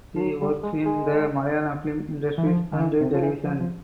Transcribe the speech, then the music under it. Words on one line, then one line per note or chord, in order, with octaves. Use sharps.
She works in the Malayalam film industry and television.
F3
F#3
G3
G#3
G#3
E3
F3
D#3
E3
C3
F3
E3
F3
F3